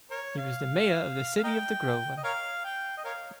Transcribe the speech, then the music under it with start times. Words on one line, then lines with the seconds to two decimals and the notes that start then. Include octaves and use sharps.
He was the Major of the City of the Grover.
0.11 A#4 C#5
0.37 F5
1.37 F5
1.44 A#4 D#5 G5
2.18 D#5
2.24 A#4 C#5 F5
2.65 G5
2.98 D#5
3.05 A#4 C#5 F5